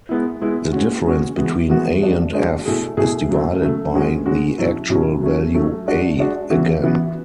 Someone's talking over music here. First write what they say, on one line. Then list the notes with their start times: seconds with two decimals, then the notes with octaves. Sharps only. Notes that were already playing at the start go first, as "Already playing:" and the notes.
The difference between "A" and "F" is divided by the Actual value "A" again.
0.09 G#3 B3 E4
0.42 G#3 B3 E4
0.73 G#3 C#4 F#4
1.05 G#3 C#4 F#4
1.37 E3 G#3 B3 F#4
1.69 E3 G#3 B3 F#4
2.01 G#3 D4 F#4
2.33 G#3 D4 F#4
2.66 B2 A3 E4 G#4
2.97 B2 A3 E4 G#4
3.29 C#3 F#3 A3
3.62 C#3 F#3 A3
3.93 D3 G#3 C#4 F#4
4.26 D3 G#3 C#4 F#4
4.58 B2 F#3 C#4 E4
4.90 B2 F#3 C#4 E4
5.21 F#3 A3 C#4
5.54 F#3 A3 C#4
5.86 G#3 D4 F#4
6.19 G#3 D4 F#4
6.50 C#3 E3 B3 F#4
6.83 C#3 E3 B3 F#4